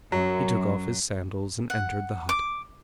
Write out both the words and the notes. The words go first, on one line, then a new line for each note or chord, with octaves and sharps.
He took off his sandals and entered the hut.
F#2 F#3
F#5
D6